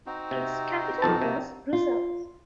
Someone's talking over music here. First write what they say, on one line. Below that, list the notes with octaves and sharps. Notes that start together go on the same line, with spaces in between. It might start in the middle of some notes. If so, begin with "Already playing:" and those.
Its capital was Brussels.
C4 D#4 F#4
C3
B1 F2 A5
C3
F4